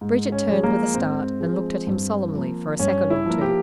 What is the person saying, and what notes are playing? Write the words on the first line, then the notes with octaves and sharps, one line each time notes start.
Bridget turned with a start and looked at him solemnly for a second or two.
G#2
C#4
F3 G#3
A#3
G#2 C4
F3 G#3
G2
F3 A#3
G2 C#4
E4
F3 A#3
G4